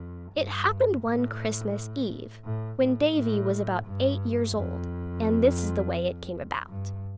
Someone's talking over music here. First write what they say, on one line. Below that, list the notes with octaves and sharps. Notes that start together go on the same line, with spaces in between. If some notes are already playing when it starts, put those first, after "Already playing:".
It happened one Christmas eve, when Davy was about eight years old, and this is the way it came about.
Already playing: F2
G2
A2
A2
A2
A2
G2
F2
G2